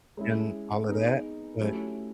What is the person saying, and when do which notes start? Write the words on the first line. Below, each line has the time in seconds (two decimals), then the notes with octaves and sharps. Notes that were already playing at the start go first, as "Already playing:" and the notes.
and all of that, but
0.17 G#3 C#4 E4
0.89 B3 D#4 G#4 B4 D#5
1.60 F#3 A3 C#4 E4 G4